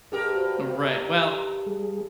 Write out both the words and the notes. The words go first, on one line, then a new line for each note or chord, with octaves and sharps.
Right, well
G2 G4 G#4 A#4
F#4 C5
A#5
G3 G#4